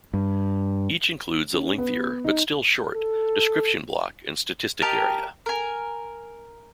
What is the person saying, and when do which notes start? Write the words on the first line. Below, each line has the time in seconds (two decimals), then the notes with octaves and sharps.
Each includes a lengthier, but still short, description block and statistic area.
0.14 G2
1.54 C#4
1.78 B3
2.24 D#4
2.94 A4
4.82 G4 A#4 D#5 A5
5.46 A#4 G#5